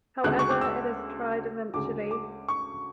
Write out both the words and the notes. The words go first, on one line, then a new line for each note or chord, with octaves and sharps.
However, it is tried eventually.
D2 C#3 G#3 B3 F#6
C#6
D6
E6
D2 C#3 G#3 D6
D6
C#6